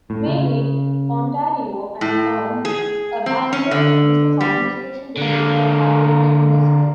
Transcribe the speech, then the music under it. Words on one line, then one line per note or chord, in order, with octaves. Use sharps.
Marie, Ontario and earned a Bachelor of Business Administration Degree from Algoma University.
A2
C#3
A2
G#4
C4
C#4
D3
G3
D3 A#3